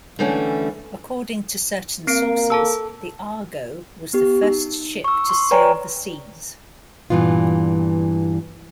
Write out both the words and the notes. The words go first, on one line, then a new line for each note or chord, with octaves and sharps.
According to certain sources, the "Argo" was the first ship to sail the seas.
D3 E3 G3 A3 C#4
A#3 C4 C7 D7
A4 A5 E6
B3 G4
D#4
C#6 E6
C6 C#6
B4 C#5 D5 G5 G#5 A#5
G2 A#2 E3 B3 F4